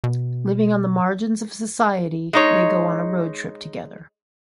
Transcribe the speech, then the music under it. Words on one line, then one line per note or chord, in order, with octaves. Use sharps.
Living on the margins of society, they go on a road trip together.
B2
G#3 D#4 C#5